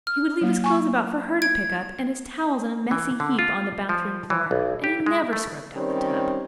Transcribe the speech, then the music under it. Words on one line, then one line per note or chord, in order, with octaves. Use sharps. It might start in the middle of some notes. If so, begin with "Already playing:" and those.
He would leave his clothes about for her to pick up, and his towels in a messy heap on the bathroom floor, and he never scrubbed out the tub.
F6
F#3 A#3
G#5 C#6
G#6 D7
E3
D3
F4
F3
E3
B1
G4
G#3
A3
D#3 G3 C4 C#4